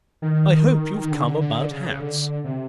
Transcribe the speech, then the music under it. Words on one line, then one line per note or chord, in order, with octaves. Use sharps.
I hope you've come about hats.
D#3
D#3
D3
D3
C#3
C#3
D3
C3